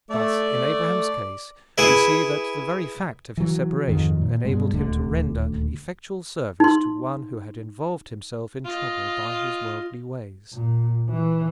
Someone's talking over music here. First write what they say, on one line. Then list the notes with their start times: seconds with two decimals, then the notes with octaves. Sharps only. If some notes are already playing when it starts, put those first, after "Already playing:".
Thus, in Abraham's case, we see that the very fact of his separation enabled him to render effectual service to one who had involved himself in trouble by his worldly ways.
0.11 A3 D5
1.78 E4 G#4 B4 E5
3.37 E3 F#3
3.88 F2 G#2 D#3
4.22 A#2
4.45 G2 B2 G#3
4.74 D#1 D2 D3
6.60 D#4 C6
8.64 F4 D#5
10.54 A#2
11.09 E3